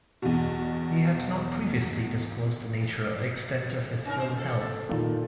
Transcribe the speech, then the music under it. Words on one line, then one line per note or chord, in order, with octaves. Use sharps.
He had not previously disclosed the nature or extent of his ill health.
E2 B2
C#4 D#4 A#4
C5
A4
A#2 D#3